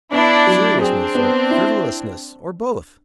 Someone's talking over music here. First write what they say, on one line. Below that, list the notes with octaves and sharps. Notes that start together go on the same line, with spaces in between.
Seriousness or frivolousness or both.
B3 D4 E4
F#3
C4 D4 G#4
B3
E4